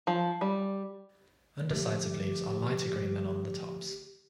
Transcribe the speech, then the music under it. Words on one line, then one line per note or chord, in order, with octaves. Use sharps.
Undersides of leaves are lighter green than on the tops.
F3
G3
D3 F3 A3 G4